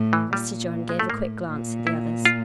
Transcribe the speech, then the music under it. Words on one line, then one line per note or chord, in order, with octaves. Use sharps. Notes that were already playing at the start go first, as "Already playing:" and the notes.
Mr. John gave a quick glance at the others.
Already playing: A2
E3
A#2 G3
G#3
A3
A2 A#3
A#2
E4
F4